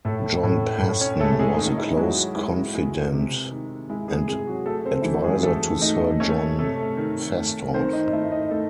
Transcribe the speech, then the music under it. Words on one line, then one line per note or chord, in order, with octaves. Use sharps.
John Paston was a close confidante and advisor to Sir John Fastolf.
A2 A3 A4
A2
A2
C#4 C#5
G#3 A3 A4
G#3 G#4
D#3 D#4
D#4
E4
F#3 G#3 F#4
G#3 E4
G#3
C3
D#3
G#3 E4
G#3 G#4
C3 G#3 G#4
F#3 F#4
A3 A4
C4 C5
E3 E4
F#4
G#3 G#4
E3 A3 A4
A3 D#4 D#5
A3 C#4 C#5
C3 A3 A4
D#3
A3
D#3 C4 C5
D#4 D#5
A3 E4 E5
D#4 D#5
D#3 A3 A4